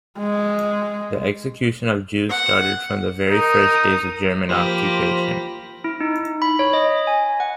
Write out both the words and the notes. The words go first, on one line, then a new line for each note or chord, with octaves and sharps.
The execution of Jews started from the very first days of German occupation.
G#3
F#5
D#4 A#4 D#6
F3 A#3 G4 C5 B5 A#6
E4
D#4
B5
C#5
D#5
G#5
F#5